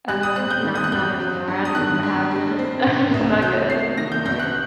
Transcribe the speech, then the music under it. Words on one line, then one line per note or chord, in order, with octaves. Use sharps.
uh, not not anymore, I don't know what happened. I'm just not good at it anymore.
G3 F#6
D#6
C4 F#6
G6
D#3
D#6
F#6
F#2 G6
F#3
G2
D#6
D#3 F#6
G2
G3
C4
C3
C2
F#3 G6
A3 C7
D#3 A#6
G6
F#2 G6
F#6